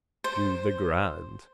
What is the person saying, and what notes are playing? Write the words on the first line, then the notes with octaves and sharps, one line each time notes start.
Do the grand.
C5